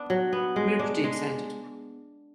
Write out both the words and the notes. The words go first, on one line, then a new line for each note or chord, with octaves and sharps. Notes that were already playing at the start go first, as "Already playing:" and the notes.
We're pretty excited.
Already playing: B3 D4
F#3
B3
G#3
D4
G#3